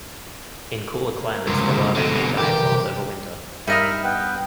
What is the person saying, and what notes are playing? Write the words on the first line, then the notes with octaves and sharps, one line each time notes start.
In cooler climates, the larvae may diapause over winter.
A#3
F1 C#2 G2 F4 B6
G1 D2 E7
B2 D3
B1 E3 G4 A#4
C3
G2 D#4 A#4 D#5 E5 B5 F6
B3 B4 G5